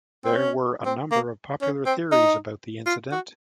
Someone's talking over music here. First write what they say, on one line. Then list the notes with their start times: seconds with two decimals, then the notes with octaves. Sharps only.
There were a number of popular theories about the incident.
0.25 C4
0.35 C#4
0.86 C4
1.11 A#3
1.61 C#4
1.86 C4
2.12 D#4
2.86 F4
3.12 F#4